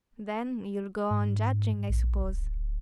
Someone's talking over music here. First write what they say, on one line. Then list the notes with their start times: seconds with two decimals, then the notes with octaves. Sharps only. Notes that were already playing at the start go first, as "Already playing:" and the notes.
"Then you'll go on judging, I suppose."
1.11 G#2
1.89 A#1
2.24 D1